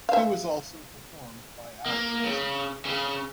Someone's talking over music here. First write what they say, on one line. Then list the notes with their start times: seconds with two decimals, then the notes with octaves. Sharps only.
It was also performed by Al Jolson.
0.09 E5 F5
1.86 A#3
2.24 C#3
2.85 C#3